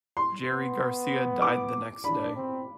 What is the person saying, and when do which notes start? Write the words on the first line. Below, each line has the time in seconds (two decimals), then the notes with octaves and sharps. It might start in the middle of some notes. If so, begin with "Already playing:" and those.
Jerry Garcia died the next day.
0.17 C6
0.48 B3
1.42 D6
2.04 D4 B5
2.36 C4